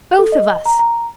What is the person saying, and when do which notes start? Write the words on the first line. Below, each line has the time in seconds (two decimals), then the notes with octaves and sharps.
"Both of us!"
0.19 A4
0.32 D#5
0.66 A#5
0.79 A#5